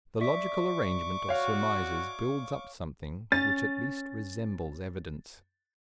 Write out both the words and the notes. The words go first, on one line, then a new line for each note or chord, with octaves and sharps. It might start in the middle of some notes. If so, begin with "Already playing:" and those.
The logical arrangement of surmises builds up something which at least resembles evidence.
D5 E5 C#6 D6 B6
F#4 C#5 F5
C#4 A6